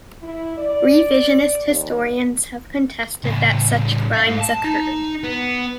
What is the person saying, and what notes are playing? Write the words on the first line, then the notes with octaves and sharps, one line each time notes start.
Revisionist historians have contested that such crimes occurred.
E4
D5
D#2
A2 C#3
E5 F5
G#2
A5
D#4
B3